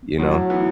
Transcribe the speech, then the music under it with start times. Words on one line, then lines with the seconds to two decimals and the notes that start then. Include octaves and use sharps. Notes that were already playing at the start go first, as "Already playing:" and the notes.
you know?
0.19 A2 F#3
0.50 E3 B3